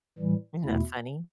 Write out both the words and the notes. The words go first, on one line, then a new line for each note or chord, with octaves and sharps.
Isn't that funny?
A2 E3 G3
E2 B2 A3 E4